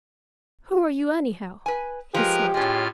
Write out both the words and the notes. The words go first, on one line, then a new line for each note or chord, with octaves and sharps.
"Who are you, anyhow?" he said.
B4 G#5
F3 G#3 G4 A#4 B4 A#5
A2 G#3 C#4 F4 F6